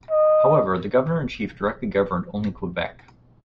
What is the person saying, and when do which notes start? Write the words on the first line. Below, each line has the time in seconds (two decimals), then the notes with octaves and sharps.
However, the governor-in-chief directly governed only Quebec.
0.11 D#5